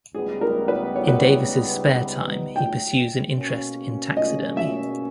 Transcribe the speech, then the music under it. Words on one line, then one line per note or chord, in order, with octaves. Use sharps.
In Davis's spare time, he pursues an interest in taxidermy.
C#2 C#3 G3 B3 D#4 G#4
A#4
B4
C#5
B4
C#5
G5
B2 A#3 C#4
D#5
E5